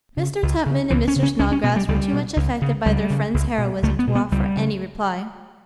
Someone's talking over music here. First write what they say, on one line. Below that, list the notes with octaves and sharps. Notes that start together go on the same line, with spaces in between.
Mr. Tupman and Mr. Snodgrass were too much affected by their friend's heroism to offer any reply.
C#3
C#2
C#3
C#2 E3
C#4
C#3
C#4
C#2 C#4
C#4
B2 B3
G3
C#2 G3
B2
C#2
C#3
C#2 G3
C#3
C#2
B2
C#2 A3
B3
B2
B3
C#2 G3
C#3